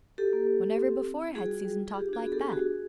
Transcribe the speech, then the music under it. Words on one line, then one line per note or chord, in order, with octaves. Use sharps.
Whenever before had Susan talked like that?
F#4 G4 A4
A#3
A#3
A#3
C4
C4
C4
E4
G3 F#4 G#4
F4
G3
F4
G#4
F4 G4
D4 F#4 G#4
B3 G#4
D4 G4 A4
G4
F#4 G#4
F#4